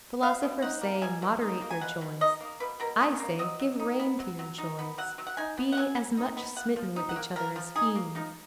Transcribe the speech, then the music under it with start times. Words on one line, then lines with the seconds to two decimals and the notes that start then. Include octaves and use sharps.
Philosophers say: 'Moderate your joys.' I say: 'Give rein to your joys.' Be as much smitten with each other as fiends.
0.22 B2 F5
0.43 B2
0.62 D#4 F#5
0.81 A#3
1.02 B2 G#5
1.22 B2
1.41 D#4
1.61 A#3
1.70 G#5
1.81 B2 F#5
2.01 B2
2.21 D#4 D#5
2.40 A#3
2.60 B2 B4
2.80 B2 A#4
3.00 D#4 G#4
3.20 A#3
3.39 F#3 D#5
3.59 F#3
3.80 D#4
3.99 B3
4.19 F#3
4.39 F#3
4.58 D#4
4.79 B3
4.98 F#3 F#5
5.18 F#3
5.27 F#5
5.37 D#4 G#5
5.57 B3
5.72 F#5
5.77 F#3 G#5
5.97 F#3
6.17 D#4
6.37 B3
6.56 F3 F#5
6.76 F3
6.96 D#4
7.09 F#5
7.16 A#3
7.36 F3 A#4
7.56 F3
7.75 D#4 G#4
7.95 A#3
8.15 F3 D#4